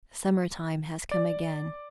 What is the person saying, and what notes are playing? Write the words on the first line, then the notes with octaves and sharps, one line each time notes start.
Summer-time has come again.
D5